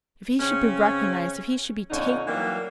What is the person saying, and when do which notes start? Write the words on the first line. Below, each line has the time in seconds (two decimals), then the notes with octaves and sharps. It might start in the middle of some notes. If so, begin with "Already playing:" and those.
If he should be recognised! If he should be taken!
0.39 C#3 C4 C#4
1.90 F2 A#2 D3 C#4 D#4
2.27 E3 F#3 G3 A#3